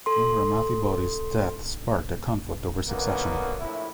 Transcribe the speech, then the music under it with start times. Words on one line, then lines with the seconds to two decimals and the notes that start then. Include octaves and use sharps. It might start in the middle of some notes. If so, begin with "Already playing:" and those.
King Ramathibodi's death sparked a conflict over succession.
0.06 A4 C6
2.88 F#2 D3 A#3 B3
3.60 A#1 A2 E4